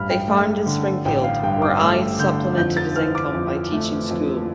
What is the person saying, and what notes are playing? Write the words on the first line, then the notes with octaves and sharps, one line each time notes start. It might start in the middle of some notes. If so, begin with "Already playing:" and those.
They farmed in Springfield, where Ide supplemented his income by teaching school.
Already playing: A1 G2 B5 F6
G5
A3
D3
A1 G5
F5
G2 G5
D6
A3 E6
D3 G6
F2 G6
A6
E3 F6
D6
F2
A3
F2